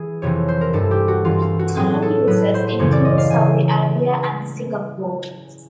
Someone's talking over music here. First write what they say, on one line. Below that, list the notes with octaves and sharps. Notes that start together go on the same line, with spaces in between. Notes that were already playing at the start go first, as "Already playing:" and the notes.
Current users include Saudi Arabia and Singapore.
Already playing: E3 G#4
F2 C3 E3 C#5
C5
A#4
G2 E3 A4
G4
F#4
G2 E3 F4
F4
F#4
A2 F#3 G#4
A4
A2 F#3 B4
C5
C5
F#2 C#3 E3 C#5
D5
D#5
F5
C#3 E3 G#5